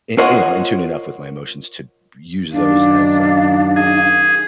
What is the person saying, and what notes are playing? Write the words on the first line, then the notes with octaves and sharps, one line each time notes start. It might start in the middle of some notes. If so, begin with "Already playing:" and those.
you you know, in tune enough with my emotions to use those as, uh,
F4 A#4 C5 C#5 D#5 F#5
F#2 D#3 D4 D#4 F5
G#4